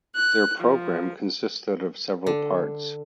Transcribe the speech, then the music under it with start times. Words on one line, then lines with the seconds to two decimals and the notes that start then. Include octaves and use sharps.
Their program consisted of several parts.
0.15 F#6
0.61 F3
2.27 D3